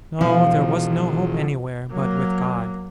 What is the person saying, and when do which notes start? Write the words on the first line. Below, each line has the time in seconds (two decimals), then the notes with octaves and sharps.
No, there was no hope anywhere but with God.
0.21 B2 E3 F3
1.92 F#3 A#3